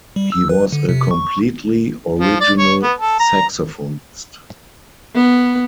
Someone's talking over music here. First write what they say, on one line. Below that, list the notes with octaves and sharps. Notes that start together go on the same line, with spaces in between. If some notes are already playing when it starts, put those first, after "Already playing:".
He was a completely original saxophonist...
G3
E6
B4
D3
C3
C#6
F3
D5
C#5
B3
A4
A#5
B3